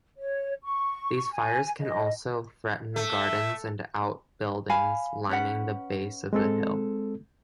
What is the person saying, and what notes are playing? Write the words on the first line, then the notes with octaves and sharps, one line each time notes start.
These fires can also threaten gardens and outbuildings lining the base of the hill.
C#5
C#6
G#5
D#5
A3 E5
F5 G#5 B5
C#4 B4 F#5
G#3 C4 A4